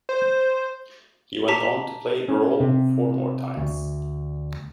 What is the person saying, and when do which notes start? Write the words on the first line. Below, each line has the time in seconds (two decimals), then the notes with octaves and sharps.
He went on to play the role four more times.
0.09 C5
1.48 G4 A5 A#5 B6
2.28 C#4
2.60 C3
3.57 D2